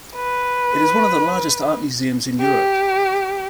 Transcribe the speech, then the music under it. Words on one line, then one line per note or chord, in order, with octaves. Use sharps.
It is one of the largest art museums in Europe.
B4
G4